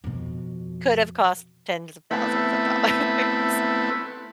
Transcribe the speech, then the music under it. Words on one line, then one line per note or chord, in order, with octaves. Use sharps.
could've cost tens of thousands of dollars.
F2 B2
A3 B3 C4 E4 B4